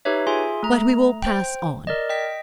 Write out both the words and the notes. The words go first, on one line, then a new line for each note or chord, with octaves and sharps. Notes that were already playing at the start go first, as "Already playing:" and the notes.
But we will pass on.
D#4 G4 B4 C#5 E5
F4 G#4 E5 G#5 C6
A3 A#5
C5 G5
A#4 D5 D#5
D#5 G5 B6